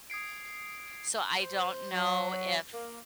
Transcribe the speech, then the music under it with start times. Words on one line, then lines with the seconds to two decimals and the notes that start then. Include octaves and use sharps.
So, I don't know if
0.10 D#6 G#6 C7 D7
1.41 C5
1.92 F#3
2.72 A#3